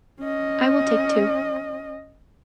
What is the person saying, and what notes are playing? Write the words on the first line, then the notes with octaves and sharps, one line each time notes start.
I will take two.
C#4 D#5